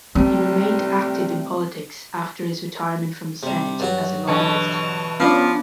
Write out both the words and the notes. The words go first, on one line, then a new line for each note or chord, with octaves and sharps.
He remained active in politics after his retirement from the Senate as a lobbyist.
A2 C3 G3 C4
C3 G3
G2 F#3 F#4
B2 D3 E3 D#5 A5 C#6
F3 B3 C#4 D4 E4 F4